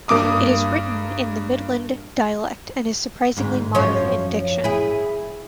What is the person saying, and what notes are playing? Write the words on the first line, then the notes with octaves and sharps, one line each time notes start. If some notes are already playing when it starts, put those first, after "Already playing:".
It is written in the Midland dialect, and is surprisingly modern in diction.
G2 A#3 D6 D#6
D2 G#2
F#2 F3 C#5
E4 G#4